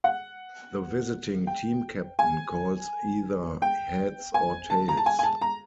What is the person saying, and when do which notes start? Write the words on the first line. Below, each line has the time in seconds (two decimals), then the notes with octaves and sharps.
The visiting team captain calls either heads or tails.
0.04 F#5
1.47 G5
2.19 G#5
3.62 G5
4.34 G#5
4.70 A5
4.88 A#5
4.97 A5
5.06 G#5
5.19 G#5
5.23 A5
5.41 A#5